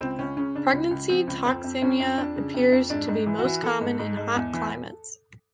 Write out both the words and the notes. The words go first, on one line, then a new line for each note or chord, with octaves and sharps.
Pregnancy toxemia appears to be most common in hot climates.
C#2 C4
C#2 C#4
C#3 C#4
C#3 D4
C#2
C#2
F3 C4
C#2
F2 C4
F2
F2 C#4
F2
F2 D4
C#3
F2
F2
G#2 D4
G#2
E3
F#4
E3
E3 A4
G#2
G#2
G#2
E2
E3